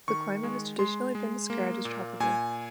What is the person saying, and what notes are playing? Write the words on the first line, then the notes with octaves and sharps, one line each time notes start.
The climate has traditionally been described as tropical.
D#3 C#6
G#3
G#3 C6
G#3
A#3
A#2
A#2 G#5